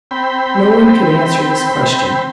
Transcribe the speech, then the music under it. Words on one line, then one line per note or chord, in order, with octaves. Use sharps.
No one could answer this question.
C4 G5 B5